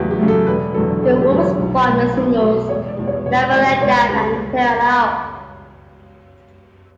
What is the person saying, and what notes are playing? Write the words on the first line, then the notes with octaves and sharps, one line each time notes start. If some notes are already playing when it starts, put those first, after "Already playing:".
"The Wolf" spawned the singles "Never Let Down" and "Tear It Up".
Already playing: E2 C#3 F#3 A3 F#4 G4
G4
C#3 F#3 A3
A4
E1 B4
E2 D3 F#3 A4
E1 A4
G4
E2 D3 F#3
C#5
B1
B2 A3
B1
B2 A3
E1 C#5
D5
E2 B2 G3
C#5
E1 C#5
E2 B2 G3 D5
C#2 C#5
C#3 G3 B4